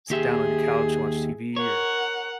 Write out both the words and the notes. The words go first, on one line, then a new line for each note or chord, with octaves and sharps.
sit down on your couch and watch TV, or
D#2 G4 G#4 E5
A#4 C#5 F#5